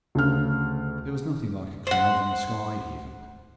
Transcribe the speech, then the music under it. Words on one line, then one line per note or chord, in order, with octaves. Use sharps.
There was nothing like a cloud in the sky even.
D2 C#3 F6
C5 F#5